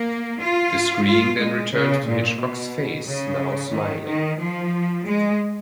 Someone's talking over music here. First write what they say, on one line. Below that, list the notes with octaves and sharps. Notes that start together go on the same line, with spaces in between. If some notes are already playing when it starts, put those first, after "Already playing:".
The screen then returns to Hitchcock's face, now smiling.
Already playing: A#3
F4
F4
G#3
C#3
A#2
B2
C#3
D#3
D#3
F3
G#3